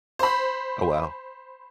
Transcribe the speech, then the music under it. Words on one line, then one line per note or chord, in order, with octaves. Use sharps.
Oh, wow,
C5 B5